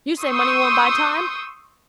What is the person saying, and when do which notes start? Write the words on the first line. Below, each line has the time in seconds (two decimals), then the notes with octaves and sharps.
You say money won't buy time?
0.23 C6 C#6 D#6 E6 G6